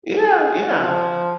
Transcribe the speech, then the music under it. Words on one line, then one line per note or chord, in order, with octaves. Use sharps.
Yeah, yeah.
G#4
F3